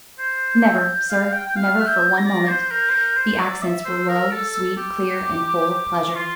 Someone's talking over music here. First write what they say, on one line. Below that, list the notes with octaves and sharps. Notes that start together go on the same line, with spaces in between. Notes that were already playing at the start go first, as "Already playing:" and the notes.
"Never, sir; never for one moment." The accents were low, sweet, clear, and full of pleasure.
C5 G6
E5
F5
G5
G5
F5 F6
E5
G6
A#6
D5
C5 G6
A#4
C5
A#4
C5
D5 E6
E5
C5
A#4
A4
G4
D6
F4 C6